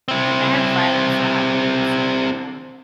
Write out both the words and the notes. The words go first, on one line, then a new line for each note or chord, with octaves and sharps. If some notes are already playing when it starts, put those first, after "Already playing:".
I have friends that have maids, and, um
C4 E4